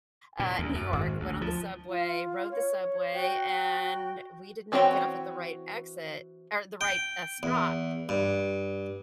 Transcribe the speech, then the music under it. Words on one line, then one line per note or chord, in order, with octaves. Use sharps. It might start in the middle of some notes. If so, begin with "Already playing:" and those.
uh, New York, went on the subway, rode the subway, and we did not get off at the right exit er, the right, uh, stop
A#2
D2
F#2
G#1
D2
F3
F4
C#5
F#4 G5
E3 C4 F#4 C#5 G5
G5
E2
G2